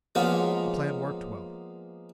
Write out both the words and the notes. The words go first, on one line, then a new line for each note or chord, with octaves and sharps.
The plan worked well.
F3 G#3 A#3 B3 F4 C#5